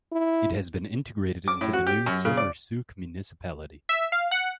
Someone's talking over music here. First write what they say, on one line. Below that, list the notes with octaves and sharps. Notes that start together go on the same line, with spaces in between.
It has been integrated into the new Sermersooq municipality.
E4
D6
A2
F#4
G4
F#2
C#3
D5
E5
F5
F#5